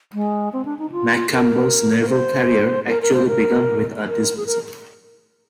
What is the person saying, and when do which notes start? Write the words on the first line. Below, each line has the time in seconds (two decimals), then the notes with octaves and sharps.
McCampbell's naval career actually began with a dismissal.
0.14 G#3
0.53 C4
0.65 D4
0.79 D#4
0.92 F4
1.32 A#4
2.00 A#4
2.09 C5
2.89 A#4
3.02 A#4
3.14 C5
3.27 A#4
4.07 A#4
4.37 G#4
4.46 A#4